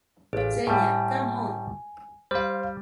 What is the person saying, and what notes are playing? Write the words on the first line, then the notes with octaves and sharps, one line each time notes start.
Zhenya, come on!
A1 G#4 F5
A2 G3 G#5
G3 C5 F5